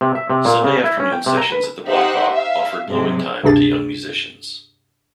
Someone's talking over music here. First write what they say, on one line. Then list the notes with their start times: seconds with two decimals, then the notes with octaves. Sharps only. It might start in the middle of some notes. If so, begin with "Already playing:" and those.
Sunday afternoon sessions at the Black Hawk offered blowing time to young musicians.
0.01 C3
0.15 E5
0.30 C3
0.45 A#2
0.64 C#3
0.84 E4
1.00 C#4
1.12 G5
1.26 C3
1.38 A#5
1.52 B4
1.85 D#4 G4 C5 E5 F#5
2.31 E5 F5
2.88 G#2 C3 F#3 G#3
3.43 D2 G2 C3 D4 G#4 A6